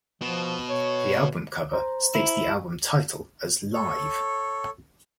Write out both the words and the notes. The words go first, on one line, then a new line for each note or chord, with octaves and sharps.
The album cover states the album title as Live!
B2 F3
C#5
C5 A#5
E4
A4 C#5